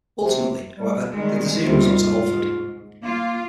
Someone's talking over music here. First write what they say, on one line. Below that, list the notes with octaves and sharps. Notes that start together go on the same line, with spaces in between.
Ultimately, however, the decision was up to Alford.
C3
G3
D#3 G3 G#3
D#2 C3 G3 F4
G#2
A#3 F4